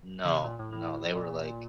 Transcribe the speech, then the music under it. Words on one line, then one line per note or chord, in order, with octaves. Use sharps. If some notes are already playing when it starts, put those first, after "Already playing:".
No, no. They were, like
D3
C3
A#2
A2
A2
A#2